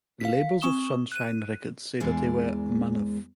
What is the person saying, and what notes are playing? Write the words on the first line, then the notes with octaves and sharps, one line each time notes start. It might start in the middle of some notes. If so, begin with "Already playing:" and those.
The labels of Sunshine Records say that they were Manuf.
F5 B6
C4 C#6 D#6 E7 G7
F#6 D#7
E2 G#2 G#3 A#3 D4